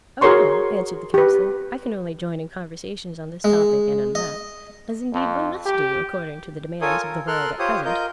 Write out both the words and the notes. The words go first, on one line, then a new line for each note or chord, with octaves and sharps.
"Oh no," answered the Councillor, "I can only join in conversation on this topic and on that, as indeed one must do according to the demands of the world at present."
F#4 G#4 A#4 C#5 C6 C#6
G4 B4
G#3
D#5
F2
G4
F4 A4 A#4 C#5 G#5 D#6
A#4
A4 A#4 C6 F6 F#6
F4 G4 C5 C#5 D#6
F4 A#4 D#5 G6